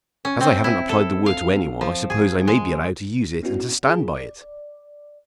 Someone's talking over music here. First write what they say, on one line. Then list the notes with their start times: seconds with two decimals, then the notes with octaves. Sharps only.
As I haven't applied the word to anyone I suppose I may be allowed to use it and to stand by it.
0.25 C#4
0.41 C4
0.64 E4
0.89 A4
1.26 F5
1.81 F3
2.10 G#4
2.48 G#3
3.43 B3 C#4 D4 E4 F#4
3.86 F4 G#4
4.14 D5